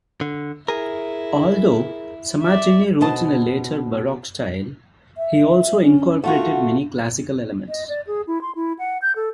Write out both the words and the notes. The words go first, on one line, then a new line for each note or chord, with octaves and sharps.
Although Sammartini wrote in a later Baroque style, he also incorporated many Classical elements.
D3
E4 G#4 A#4
D5 E5
B2 C5 D#5 A5
E5
C#4
A3 F4 F#4 F#5
D#5
D5
G#4
E4
C6
E4
F#5
G6
A4